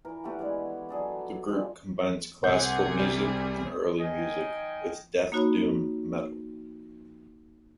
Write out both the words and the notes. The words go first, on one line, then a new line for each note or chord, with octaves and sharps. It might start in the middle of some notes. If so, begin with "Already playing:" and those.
The group combines classical music and early music with death doom metal.
E3 A#4
A3 B3 G4 F#5
G#3 E4 C#5 D5
F#3 G#4 A4 D5
F3 G3 G#3 F4
C2 C3 G#4 F#5 G6
G3
D#3 D#5 G5 G#5
A#3 D#4 F#4 C#5 B5